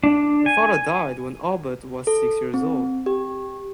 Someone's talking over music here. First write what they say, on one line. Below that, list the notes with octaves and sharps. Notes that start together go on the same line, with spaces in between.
The father died when Albert was six years old.
D4
G#5
A4
C4
G4